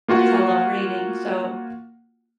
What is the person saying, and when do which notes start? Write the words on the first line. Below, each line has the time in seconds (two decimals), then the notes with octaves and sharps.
'cause I love reading, so
0.08 A#3 F4 F#4 F#5